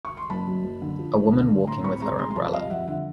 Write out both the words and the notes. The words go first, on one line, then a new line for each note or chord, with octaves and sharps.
A woman walking with her umbrella.
C#6
C6
F#1 A5 B5
F#2
F#1
D3
F3
A3
D3
D3
A2 A#5 C6
C4 B5 C#6
G#3 A#5 C6
G#3 A#5 C6
C6
F2 A5 B5
G3 D#5 F5
F2 E5 F#5
D3 E5 F#5